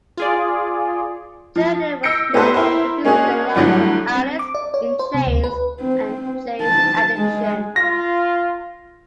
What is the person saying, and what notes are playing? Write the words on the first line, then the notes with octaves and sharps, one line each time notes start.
Jerden was known for producing the likes of Alice in Chains and Jane's Addiction.
F4 G#4 D5
F3
E6 G6 A#6 C#7 D7
A3 B3 G4 B4 C5 F#5
E4 A#4 C5
G#3 A#3 C#4 D4 F#4 G#4
A2 D3 F#3 G3 F#5
C4
D6
D5
C#5
C5
C3
D2
B4
C4
A5
G#3
F4 A#6